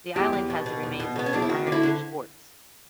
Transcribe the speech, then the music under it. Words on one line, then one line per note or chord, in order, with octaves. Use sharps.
The island has the remains of two Iron Age forts.
E2 G4
E2
B2
B2
E2
B2
B2 B3
C#4
E2 D4
E4
D2 F#4
D3
E4
D3